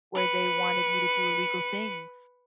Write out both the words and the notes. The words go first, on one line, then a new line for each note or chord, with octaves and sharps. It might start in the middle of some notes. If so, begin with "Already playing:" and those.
where they wanted me to do illegal things.
B4 C#7